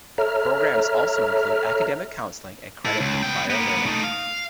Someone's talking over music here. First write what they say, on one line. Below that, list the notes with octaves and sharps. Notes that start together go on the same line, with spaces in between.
Programs also include academic counseling and credit for prior learning.
A4 C#5 E5 A#5 F6
E4 A4
C#2
B3 G5
A#3 B3
A3 D#4
F5